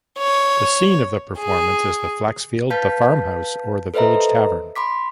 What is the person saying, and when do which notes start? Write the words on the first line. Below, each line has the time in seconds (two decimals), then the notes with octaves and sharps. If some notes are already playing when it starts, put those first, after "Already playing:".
The scene of the performance is the flaxfield, the farmhouse, or the village tavern.
0.19 C#5
1.39 G#4
2.70 B4 F5 A5 G6 B6
3.94 A4 B4 C5 D#5 E5 A#5
4.76 B5 C6 D6 B6